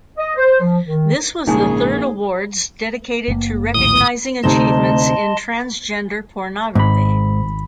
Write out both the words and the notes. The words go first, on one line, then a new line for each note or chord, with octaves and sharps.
This was the third awards dedicated to recognising achievements in transgender pornography.
D#5
C5
F3
D#3
A#1 G#2 C#3 A#3 D#4 G#4 G#5
F#1 A#3
A#1 D#2 A2 D#6
D2 C3 D#4 D#5 A5 C6
G#1 G#2 B5